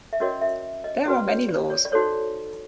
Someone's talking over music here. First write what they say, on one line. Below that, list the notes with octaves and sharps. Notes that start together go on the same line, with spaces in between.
There are many laws.
E5
C#4 F#4 A#4 C#5 D#5
E5
D#5
C#4 F#4 B4 D5
C#5
D5
C#5
D5
D#4 F#4 A4 C5 C#5